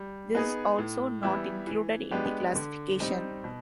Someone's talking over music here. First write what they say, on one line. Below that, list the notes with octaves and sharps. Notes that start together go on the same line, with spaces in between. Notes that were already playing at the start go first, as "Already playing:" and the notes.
This is also not included in the classification.
Already playing: G3
B3 D#4 G#4
A2
E3 G3 B3 E4
E3
G#3 B3 D4 G4
D3
G3 C4 D#4
B2